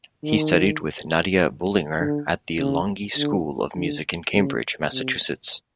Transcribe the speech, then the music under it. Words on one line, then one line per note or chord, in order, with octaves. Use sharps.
He studied with Nadia Boulanger at the Longy School of Music in Cambridge, Massachusetts.
D#3
D3
C#3
D3
D3
C#3
C3